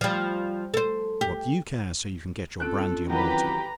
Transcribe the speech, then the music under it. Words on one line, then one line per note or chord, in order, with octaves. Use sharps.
But what do you care so you can get your brandy-and-water?
F3 G3
A4 C5
G4
C4 C#4 F4 A4 F#6 D7
D#3 E3 F#3 G4 B4 A#5